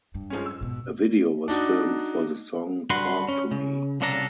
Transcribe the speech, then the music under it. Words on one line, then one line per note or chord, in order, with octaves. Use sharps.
A video was filmed for the song "Talk To Me".
G2
F3 G#3 C#4
E6
G#2 B2
D4 D#4 F#4
G2 D3 F#4 B4 C6
C#4
C#3
C2 A#2 C#3 D4 A4 A#5